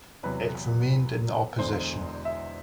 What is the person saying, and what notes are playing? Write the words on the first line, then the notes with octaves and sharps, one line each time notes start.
It remained in the opposition.
E2 C3 F#3 B4
E1 E2 D3 C5
E5